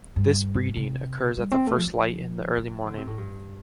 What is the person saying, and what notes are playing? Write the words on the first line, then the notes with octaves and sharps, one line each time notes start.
This breeding occurs at the first light in the early morning.
G2
C3
G3
C4
A3
F3
F3
F3
D3
C3
A2
G2